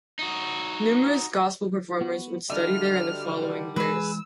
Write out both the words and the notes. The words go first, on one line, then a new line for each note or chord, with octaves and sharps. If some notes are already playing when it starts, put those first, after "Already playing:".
Numerous gospel performers would study there in the following years.
D#4 F#4
B3 F#4
D3 G3 F#4 D#5 E5 F6
E3 G#3 G#4 B4 E6